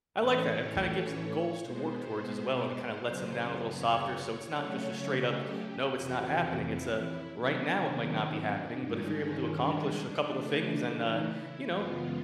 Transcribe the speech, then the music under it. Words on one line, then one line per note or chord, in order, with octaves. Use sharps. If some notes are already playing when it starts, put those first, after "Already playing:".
I like that, and it kinda gives them goals to work towards as well, and it kinda lets ‘em down a little softer, so it's not just a straight up, "No, it's not happening." It's a, "Right now, it might not be happening, but if you're able to accomplish a couple of things and, uh, you know,
A2 E3 A3 C#4 C#5
C#5
B2 G#3 B3 C5
C5
F#2 C#3 F#3 B3
C#5
C#3 F#3 A3 C#4 C#5
G4
F2 C3 E3 F#4
E4
C3 D#3 F#3 B3 D4
C#4
D4
G2 D#3 G#3 C#4 D#4
D4
C#3 E3 A3 D4
D#4
E4
F#2 C#3 E3 G#3 B3 F4